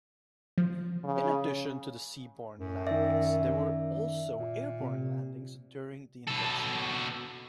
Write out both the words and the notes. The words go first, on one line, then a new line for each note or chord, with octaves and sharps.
In addition to the seaborne landings, there were also airborne landings during the invasion.
F3
C#3
F#2
D#3 D5 E5
A#2
C3
B2 A4